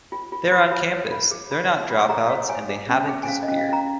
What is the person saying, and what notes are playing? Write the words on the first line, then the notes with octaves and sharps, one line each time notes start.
They're on campus, they're not dropouts and they haven't disappeared.
F4
F4
F4
F4
C#5
F4
G#4
F4
C#5
F4
C#6
G#4 A#5
C#5 F5
C#5 G#5
G#4
C#4
G#4
G#5
C#4 F5
D#5
C#4
F5
C#4 A#5